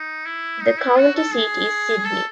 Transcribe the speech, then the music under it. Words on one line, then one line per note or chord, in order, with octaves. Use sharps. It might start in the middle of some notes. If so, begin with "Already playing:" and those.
The county seat is Sidney.
Already playing: D#4
E4
D#4
E4
F#4
A4
G#4
A4